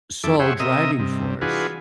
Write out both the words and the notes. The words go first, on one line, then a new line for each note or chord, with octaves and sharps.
sole driving force
F2 E4 A4 D6
G4 G#4 C5 C#5 E5 F#5
C3 A#4 D#5 E5 D#6
G2 C3
E3 D4 F4 F#4 G#4 B4